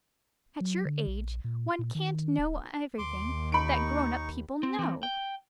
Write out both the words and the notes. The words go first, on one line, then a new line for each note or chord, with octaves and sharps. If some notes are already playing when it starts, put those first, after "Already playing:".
At your age one can't know everything that grown-up people know.
F#3
D3
A#1
A#2
A#2
D#3
D1
D#2 C6 D6
D#4 B5 C#6 D7
C4
E3 C4
G5